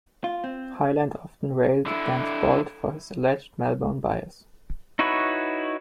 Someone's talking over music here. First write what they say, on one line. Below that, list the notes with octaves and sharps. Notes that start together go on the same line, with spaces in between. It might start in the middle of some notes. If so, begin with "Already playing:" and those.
Hyland often railed against Bolte for his alleged Melbourne bias.
F4
C4
D3 E4
D#4 E4 F#4 B4 C#5